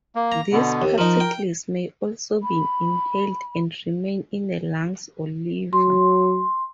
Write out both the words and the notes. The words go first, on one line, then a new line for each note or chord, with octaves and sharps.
These particles may also be inhaled and remain in the lungs or liver.
A#3
A#5
B2 D3 B3
D#2
F3 D#4 A#4
G5
B5
F#3 C6